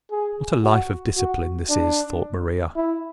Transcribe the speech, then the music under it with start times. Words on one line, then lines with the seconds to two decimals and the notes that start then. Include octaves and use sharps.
"What a life of discipline this is!" thought Maria.
0.11 G#4
0.64 F#4
1.17 F#4
1.70 D4
2.76 E4